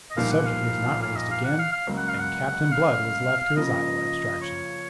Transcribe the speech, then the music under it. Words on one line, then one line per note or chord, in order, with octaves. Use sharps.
The subject was not raised again, and Captain Blood was left to his idle abstraction.
D#5
C2 A#2 F3 A#3 D#4 F5
F#5
F5
F5
D#5
F5
F#5
F5
F5
C#2 C#3 F#3 A#3
F#5
F5
F#5
F5
C#3 F3 A#3 F4 D#5
C#5